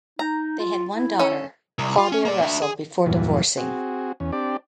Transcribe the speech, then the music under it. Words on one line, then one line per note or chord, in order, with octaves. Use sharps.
They had one daughter, Claudia Russell, before divorcing.
D#4 A#5
F4
E4
C#4 A4
C2
F4
C#4
A#3 D5
D4 E5
G#4
E2 G2 A#2 E3 F#3
C4 F#4 G#4
E2 C#4
C4 D4 G4 D5